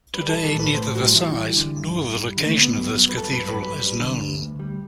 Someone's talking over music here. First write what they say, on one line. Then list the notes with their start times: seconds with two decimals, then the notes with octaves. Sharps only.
Today, neither the size nor the location of this cathedral is known.
0.14 G3 B4
0.29 E3 A4
0.45 A4
0.55 A2 B4
0.74 A2 C5
0.95 G3 F#4
1.15 E3 E4
1.36 G3
1.56 D3
1.76 G2
1.96 G2
2.16 G3
2.37 D3
2.46 A3
2.57 G2 B3
2.77 F#3
2.97 F#3
3.09 B4
3.17 G2 A4
3.33 G2 B4
3.49 B4
3.59 F#3 B4
3.78 G3
3.99 D3
4.19 D2
4.39 D2
4.59 G3